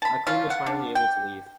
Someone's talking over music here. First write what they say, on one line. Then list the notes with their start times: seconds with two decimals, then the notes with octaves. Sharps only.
Maclean was finally able to leave.
0.02 A5 B5
0.27 C#3 C#4 F4
0.50 F#5
0.66 D4
0.95 G5